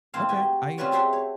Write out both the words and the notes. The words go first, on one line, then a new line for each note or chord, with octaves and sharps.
okay. I
A2 E3 C4 C5 F5
F#4 G4 G#5
C4 C#4 F4 B4 C#5 D5
G#4 A4 C5 E5 F#5 G5
C#5